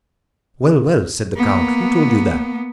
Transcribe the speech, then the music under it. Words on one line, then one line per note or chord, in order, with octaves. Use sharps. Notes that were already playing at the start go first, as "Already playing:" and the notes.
"Well, well," said the count, "who told you that?"
A#3 B3